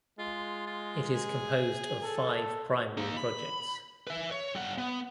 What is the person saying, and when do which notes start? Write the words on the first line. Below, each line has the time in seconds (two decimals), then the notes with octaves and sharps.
It is composed of five primary projects.
0.19 G#3 F4
0.67 F4
1.14 G#4
2.04 A4
2.98 A#3 D#4
3.17 B5
4.07 B4 E5
4.31 C#5
4.55 G3 F#5
4.78 B3